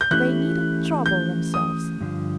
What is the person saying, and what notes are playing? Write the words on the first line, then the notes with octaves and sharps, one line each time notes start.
They needn't trouble themselves!
G6
E3 A3 C#4 E4 G4 F#6
G6
D#6
G2 D3 F3